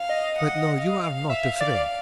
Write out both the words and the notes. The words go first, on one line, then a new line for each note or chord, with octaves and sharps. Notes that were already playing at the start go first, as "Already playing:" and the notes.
But no, you are not afraid.
Already playing: F5
D#5
F#5
F5
E5
D5